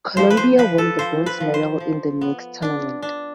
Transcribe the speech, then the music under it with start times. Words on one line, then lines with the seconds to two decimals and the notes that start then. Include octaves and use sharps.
Colombia won the bronze medal in the mixed tournament.
0.17 F3 C5
0.30 B4
0.37 C5
0.58 F3 B4
0.78 A4
0.99 F3 C5
1.26 B4
1.40 F3
1.54 C5
1.80 F3
2.21 B3
2.62 D4
3.02 D4